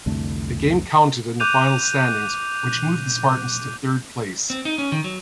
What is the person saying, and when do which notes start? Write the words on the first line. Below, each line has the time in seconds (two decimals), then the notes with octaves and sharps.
The game counted in the final standings, which moved the Spartans to third place.
0.06 C2 F2 D3 A3
1.40 D6 F#6 G6 D#7 F7
4.50 C4
4.65 D#4
4.78 C#4
4.92 D#3
5.04 F#3